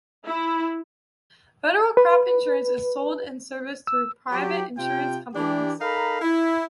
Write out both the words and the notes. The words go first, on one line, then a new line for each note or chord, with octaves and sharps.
Federal crop insurance is sold and serviced through private insurance companies.
E4
B4
E6
F#3 G4
C3 F4 G5
E3 D4 G4
D#4 A4 A#4 F5 A#5 B5
E4